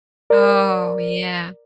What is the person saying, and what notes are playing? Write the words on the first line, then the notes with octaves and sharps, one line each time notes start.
Oh, yeah.
A#4 D5